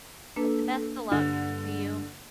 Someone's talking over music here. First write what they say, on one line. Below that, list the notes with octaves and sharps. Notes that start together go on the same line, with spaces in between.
But, the best of luck to you.
A#3 D4 A4 B4
G2 D3